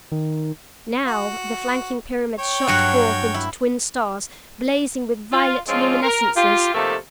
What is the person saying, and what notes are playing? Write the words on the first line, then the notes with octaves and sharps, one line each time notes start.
Now the flanking pyramids shot forth into twin stars, blazing with violet luminescences.
D#3
F#4
C#5 G5
G2 F#3 F#5
E4
F4
F3 G#3 C4 C#4 F4
A#4
F4 G4
C3 F3 A3 A#3 D#4 A4